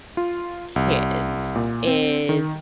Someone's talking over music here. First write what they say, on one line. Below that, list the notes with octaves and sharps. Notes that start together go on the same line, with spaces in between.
Kids is
F4
C2
A#2
C4
D#3